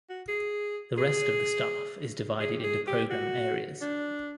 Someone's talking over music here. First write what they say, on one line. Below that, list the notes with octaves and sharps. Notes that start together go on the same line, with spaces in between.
The rest of the staff is divided into program areas.
F#4
G#4
G#4
G#4
G4
G#4
G4
F#4
D4